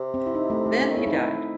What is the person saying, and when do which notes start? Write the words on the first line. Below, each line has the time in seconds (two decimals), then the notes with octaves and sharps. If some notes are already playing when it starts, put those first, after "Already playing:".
Then he died.
Already playing: C3
0.14 C4
0.26 E4
0.35 D#4
0.50 A3
0.66 A3
0.77 C4
0.82 A3
0.90 D#3
0.97 C#3 E4
1.06 D#4
1.13 D#3 E4